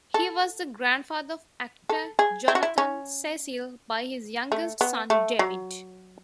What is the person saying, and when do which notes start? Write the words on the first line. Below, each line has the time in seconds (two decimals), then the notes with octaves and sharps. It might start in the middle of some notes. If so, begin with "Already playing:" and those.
He was the grandfather of actor Jonathan Cecil by his youngest son, David.
0.14 A4
1.89 A4
2.19 G#4
2.48 E4
2.55 F#4
2.63 E4
2.78 C#4
4.52 A3
4.81 B3
5.10 A3
5.39 F#3